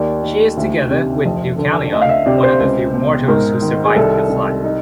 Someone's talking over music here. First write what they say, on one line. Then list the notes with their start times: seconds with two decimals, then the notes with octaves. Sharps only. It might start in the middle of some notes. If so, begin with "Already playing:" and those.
She is together with Deucalion, one of the few mortals who survived the flood.
Already playing: D#2 D5
0.23 D#3
0.57 D2
0.91 C3
1.25 F2
1.58 D3
1.92 D2 D#5
2.02 F5
2.09 E5
2.26 C3 D5
2.43 C5
2.60 C#2
2.94 B2
3.28 G#2 A#4
3.62 D#3
3.85 G#4
3.96 C2 A4
4.30 C3
4.64 D#4